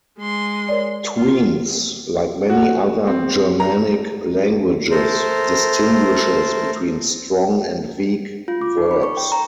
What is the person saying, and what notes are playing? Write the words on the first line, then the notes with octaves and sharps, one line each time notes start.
Tweants, like many other Germanic languages, distinguishes between strong and weak verbs.
G#3 C6
A#4 C#5 D5
F4
F#4
C4
A#5
A3 A#4 C5
F4
D6
D#4
B5
C#6
G5
A#5